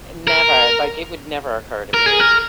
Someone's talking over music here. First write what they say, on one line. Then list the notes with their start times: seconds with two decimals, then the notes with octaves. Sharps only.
Eh, never. Like, it would never occur to me.
0.27 A#4
1.94 A#4
2.06 G#4
2.20 A#4